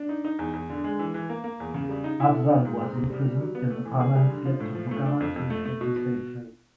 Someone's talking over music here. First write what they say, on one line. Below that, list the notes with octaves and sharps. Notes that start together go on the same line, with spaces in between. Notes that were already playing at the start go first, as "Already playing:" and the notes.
Afzal was imprisoned and Rahman fled to Bukhara to escape the same fate.
Already playing: D4
D#4
D#4
E2
E2
D3
G#3
E3
E3
A#3
A#3
E2
C#3
G3
D#4
E4
A4
D#3
G#2
C4
C3
G3
G3
F#3
B3
A3
E3
G#4
G3
D3
F3
A2
F3
A3
D4
F2
F2
A3
A3
B2
B2